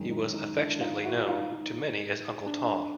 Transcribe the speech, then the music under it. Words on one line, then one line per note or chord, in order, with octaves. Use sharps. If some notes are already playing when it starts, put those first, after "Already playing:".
He was affectionately known to many as Uncle Tom.
Already playing: F#2 D#3 G#3
D#4
D#4
D4 E4
D#4 F4
E4 F#4
D#4 F4
D#4
D4